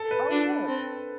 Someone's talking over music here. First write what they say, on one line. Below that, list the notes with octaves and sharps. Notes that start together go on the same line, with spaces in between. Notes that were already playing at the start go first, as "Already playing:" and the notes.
Oh, yeah.
Already playing: A4
B4
D4
C4